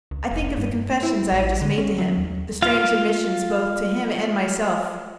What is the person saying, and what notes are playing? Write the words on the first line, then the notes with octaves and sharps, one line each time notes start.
I think of the confessions I have just made to him, the strange admissions both to him and myself.
C#2
F1
G2
E4
A1
D3
C#4
F#3
D#2
F4 F5